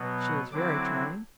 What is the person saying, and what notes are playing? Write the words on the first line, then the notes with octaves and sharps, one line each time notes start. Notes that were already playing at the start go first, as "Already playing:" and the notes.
She was very charming.
Already playing: B2 F#3 B3
F#5
D3 F#3 C4 E4 D6